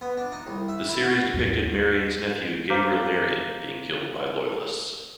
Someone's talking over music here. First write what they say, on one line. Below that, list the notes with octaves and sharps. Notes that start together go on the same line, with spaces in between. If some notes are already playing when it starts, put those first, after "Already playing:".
The series depicted Marion's nephew Gabriel Marion being killed by Loyalists.
B3
D4
D#4
C2
E5
E4
F#4
D#2 G#2 F#3
C5 F5 A#5 D6 F6 G6